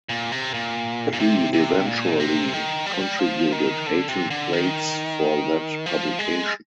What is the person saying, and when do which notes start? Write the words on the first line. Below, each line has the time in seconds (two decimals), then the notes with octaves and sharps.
He eventually contributed eighteen plates for that publication.
0.09 A#2
0.32 C3
0.54 A#2
1.13 A#2
1.20 C3
1.53 C3
1.87 A#2
2.20 C3
2.53 D#3
2.86 G3
2.93 F3
3.01 G3
3.19 F3
3.52 D#3
3.86 D3
4.08 C3
4.30 D3
4.53 D#3
5.86 F3
6.19 G#3